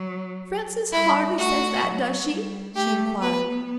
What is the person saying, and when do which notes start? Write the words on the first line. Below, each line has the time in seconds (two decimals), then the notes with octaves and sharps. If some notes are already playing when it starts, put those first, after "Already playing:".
"Frances hardly says that, does she?" she enquired.
Already playing: F#3
0.92 G3 E4
1.39 A3 F#4
1.84 F#3
2.30 G3
2.75 A3 G4
3.21 B3 B4